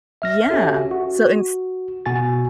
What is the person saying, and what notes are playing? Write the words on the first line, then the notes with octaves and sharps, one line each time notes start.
yeah, so ins
E5 F6 A#6
C#4 F#4 G4 A4 E5
F#4
B2 F#4 G#5 A6